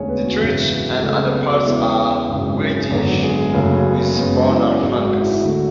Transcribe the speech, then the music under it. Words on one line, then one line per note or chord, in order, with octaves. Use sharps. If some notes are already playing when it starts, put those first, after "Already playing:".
The throat and underparts are whitish with browner flanks.
Already playing: E1 D2 D3 G#3 C#4 G#4 C#5 G#5
B3 B4
F#4
G#1 F#2 C#3 E3 G#3 E4
F#4
C#2 C#3 F#3 A3 A4
B3 B4
F#4
E2 C#3 G#3 B3 E4
G#1 F#2 C#3 G#3
G#4
G#1 F#2 D3 F#3 B3 F#4
G#3 G#4
F#1 F#2 C#3 F#3 A3
F#2 C#3 G#3 B3 F#4
E4
G#1 G#2 G#3 F#4
F#4
E4
E4
D2 D3 A3 F#4